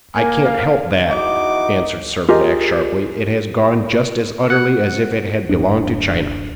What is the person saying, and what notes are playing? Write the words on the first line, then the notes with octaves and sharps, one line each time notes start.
"I can't help that," answered Servadac, sharply; "it has gone just as utterly as if it had belonged to China."
A#3 G#5
F5
E2 D#4 F#4 D6
F4 G4 G#4 A#4 D#5
F#5
D1 F#2 D4